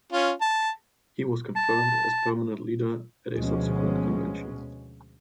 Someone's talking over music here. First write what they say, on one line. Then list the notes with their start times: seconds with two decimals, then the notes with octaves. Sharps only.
He was confirmed as permanent leader at a subsequent convention.
0.13 C#4 F4
0.41 A5
1.56 A5
3.34 D2 B2 F3 G#3 C#4